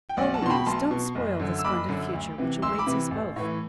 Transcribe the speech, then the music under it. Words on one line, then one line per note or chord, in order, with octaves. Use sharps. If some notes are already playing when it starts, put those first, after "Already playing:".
Oh! Louise, don't spoil the splendid future which awaits us both!
G5
B1 D5 F#5
F#5 A5
B2 C6
G5 B5
B1 A5 C6
B2
F#1
F#2 D3
E6
F#1 B5 D6
F#2 D3
D2
C3 E3
D2 C6 E6
B5 D6
C3 E3
A1
A2 E3